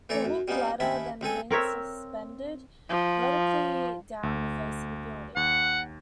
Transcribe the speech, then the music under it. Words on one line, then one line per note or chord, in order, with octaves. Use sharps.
The hooked ladder then hangs suspended vertically down the face of the building.
E3 A3 A4 C#5 D5 A#5
F#2
G3 B3 C#4 D#4 F4
D#2 C#4 E4 A5 B5
C#2 C4 A4 G#5
C4 A#4 C#5 E5
F3
D2
D#2 F#5